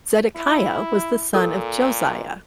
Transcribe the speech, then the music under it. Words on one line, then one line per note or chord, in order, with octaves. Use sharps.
Zedekiah was the son of Josiah.
E4
A#2 A4 A#4